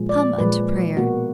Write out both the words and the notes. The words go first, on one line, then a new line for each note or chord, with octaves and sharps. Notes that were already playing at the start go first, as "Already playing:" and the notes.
Come unto prayer!
Already playing: A#2 F3 G#3
D5
A#2 F3 G#3 B4
B2 A#3 F#4